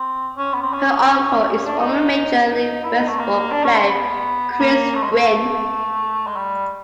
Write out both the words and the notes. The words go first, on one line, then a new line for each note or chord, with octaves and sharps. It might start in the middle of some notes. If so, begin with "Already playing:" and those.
Her uncle is former Major League Baseball player Chris Gwynn.
Already playing: C4
C#4
B3
C4
C#4
C#4
D4
D#4
D#4
E4
D#4
A3
A#3
D4
C#4
C4
B3
B3
A#3
A3
G#3
A3
G#3
G3